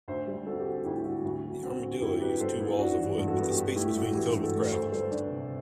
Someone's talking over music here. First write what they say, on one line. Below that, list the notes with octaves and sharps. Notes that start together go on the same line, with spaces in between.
The Armadillo used two walls of wood, with the space between filled with gravel.
D2 C5 E5
G3
C4 F#4 A4
G4
D3 F#4
D2 E4 G4
G3 F#4
D2 F#4
F#3
C4 F#4
D3 F#4
D2 E4 G4
F#3 G4 B4
G2 A4 C5
B3 E4
D4 F#4
E3 F#4
G2
F#4 A4
B3
G4
G2 F#4
A3 E4 G4
G2 F#4
E3 E4 G4
G2
F#4 A4
A3
D2 A4 C5
B4
G3 A4 C5
D4 B4 D5
C3